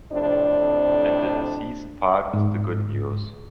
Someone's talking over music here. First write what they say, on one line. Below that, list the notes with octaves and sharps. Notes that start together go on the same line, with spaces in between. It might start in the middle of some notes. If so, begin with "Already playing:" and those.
And the deceased part is the good news.
F2 A2 C3 D4 C5 D5
G#2